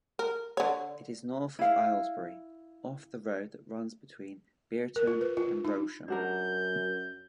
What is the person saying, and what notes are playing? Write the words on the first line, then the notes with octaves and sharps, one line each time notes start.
It is north of Aylesbury, off the road that runs between Bierton and Rowsham.
A#4
D3 C#5
E4 F5
A#4
F4
B4
F4
D#4
F#2 D4 F#4 A#4 G6